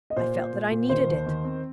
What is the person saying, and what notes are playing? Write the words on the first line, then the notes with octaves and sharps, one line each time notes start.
I felt that I needed it.'
D#5
A#2 C5
A#2
A#2
A#2
D#3 C5
D#2
D#3
C4